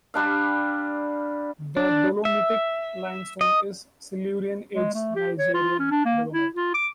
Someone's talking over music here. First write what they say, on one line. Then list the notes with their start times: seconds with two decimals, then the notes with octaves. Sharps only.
The dolomitic limestone is Silurian aged Niagaran Dolomite.
0.14 G3 D4 F5
1.77 D4
2.25 E5
3.41 D#5
4.74 G#3
4.94 A3
5.16 G4
5.39 C#5
5.54 F4
5.79 C#4
5.91 D4
6.05 A#3
6.32 E4
6.55 F4
6.74 D6